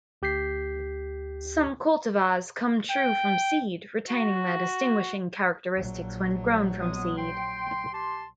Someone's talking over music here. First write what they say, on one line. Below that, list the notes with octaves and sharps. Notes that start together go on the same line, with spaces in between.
Some cultivars "come true from seed", retaining their distinguishing characteristics when grown from seed.
D2 G4 G6 B6 C7
G5
F#4
A#1 F#3
G#3 B3 D#6
G5 C6
G4 A5 C6